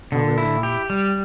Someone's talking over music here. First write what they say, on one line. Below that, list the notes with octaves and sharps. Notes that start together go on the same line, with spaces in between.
Oh, really? Wow.
D3
E4
G4
G3